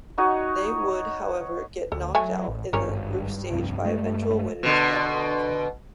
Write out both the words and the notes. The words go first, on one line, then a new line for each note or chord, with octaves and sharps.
They would, however, get knocked out in the group stage by eventual winners Denmark.
D#4 F#4 C#5 D#5
D2 A4
F#3 A3 G#5
A1
G#1 G2 G3 C#4 A#4
C2 F2
G#3 A3
B2 D3